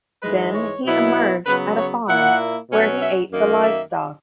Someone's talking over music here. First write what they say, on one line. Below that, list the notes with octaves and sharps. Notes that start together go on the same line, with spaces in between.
Then he emerged at a farm, where he ate the livestock.
G#2 E3 G#3 B4
C#5
B2 F#3 B3 E4
C#3 F#3 B3 B4
C#5
A#2 A#3 E4 F#5
B2 F#3 C#4
E5
F#2 D#3 A#3
E5